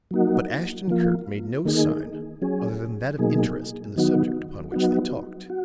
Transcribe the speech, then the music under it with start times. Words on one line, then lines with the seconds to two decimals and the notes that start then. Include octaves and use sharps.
But Ashton-Kirk made no sign other than that of interest in the subject upon which they talked.
0.11 F#3 A#3 D#4 F#4
0.88 F3 A#3 F4
1.65 D#3 A#3 D#4 G#4
2.42 F#3 C#4 G#4
3.18 B2 F#3 A#3 D#4 G#4
3.96 D#3 F#3 B3 D#4 F#4
4.72 F#3 B3 D#4 F#4
5.50 F#4